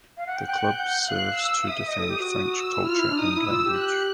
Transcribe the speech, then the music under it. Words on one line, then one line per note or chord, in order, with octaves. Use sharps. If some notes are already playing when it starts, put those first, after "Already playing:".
The club serves to defend French culture and language.
F5
F#5
G5
G5 F#6
F#5
G5
F#5 G6
F5 F#6
E6
F5
E5 D#6
E5
D#5
A4
G4
F#4
E6
E4
F4 F6
E4
D4
D#4 D#6
E4
F4 E6
G4
F#6